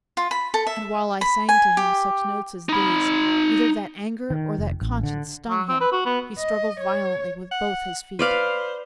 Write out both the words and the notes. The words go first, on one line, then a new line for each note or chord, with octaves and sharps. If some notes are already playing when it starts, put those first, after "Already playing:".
And while I sang to him such notes as these, Either that anger or that conscience stung him, He struggled violently with both his feet.
F4
B5
A4
E5
B5
G#5
G4
D#4 B5
D#3
F1
A1
D3
F#3
C4
B4
F#4
B3
D#5
C#5
F#5
B4 C5 D5 F5